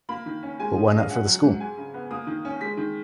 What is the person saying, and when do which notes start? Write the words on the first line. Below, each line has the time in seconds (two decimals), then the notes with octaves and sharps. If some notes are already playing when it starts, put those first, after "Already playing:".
But why not for the school?
0.09 A#3 B5
0.26 D#3
0.43 C#4
0.60 G#3 G#5
0.76 F3
0.89 C#4 D#5
0.99 F5
1.09 C#4 F#5
1.26 F#3
1.43 G#2
1.60 G#3 G#5
1.77 C#3
1.94 B3
2.11 A#3 D#6
2.27 D#3
2.45 C#4
2.61 G#3 B6
2.77 D#3